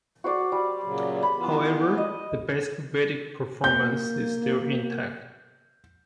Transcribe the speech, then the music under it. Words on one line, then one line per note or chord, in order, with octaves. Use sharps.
However, the basic Vedic performance is still intact.
F#4 C5 D5
G3
A#2 C#3 F#3
B5
E3 B3 F4
D#5
A#3 G6